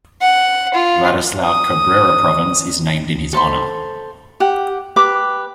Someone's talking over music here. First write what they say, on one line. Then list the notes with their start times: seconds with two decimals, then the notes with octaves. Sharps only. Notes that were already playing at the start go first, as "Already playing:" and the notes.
Ladislao Cabrera Province is named in his honour.
0.21 F#5
0.74 F4
1.45 D#6
3.33 A4 C5 B5 C6
4.40 G4 F#5
4.96 G4 B4 D6